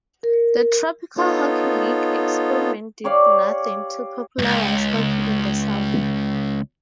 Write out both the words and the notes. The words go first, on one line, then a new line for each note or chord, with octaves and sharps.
The Tropical Hockey League experiment did nothing to popularize hockey in the South.
A#4
B3 D#4 F4 A4 C#5
G4 C#5 D5 F5
C#2 G2